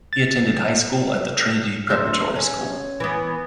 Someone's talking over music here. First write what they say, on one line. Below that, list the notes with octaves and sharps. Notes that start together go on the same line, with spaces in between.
He attended high school at the Trinity Preparatory School.
A6
D2 C5 E5
C#4
E3 B3